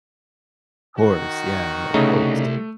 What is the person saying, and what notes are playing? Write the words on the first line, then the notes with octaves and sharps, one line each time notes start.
Of course. Yeah. Of course.
D#3 F#4
C2 C#3 A3 D#4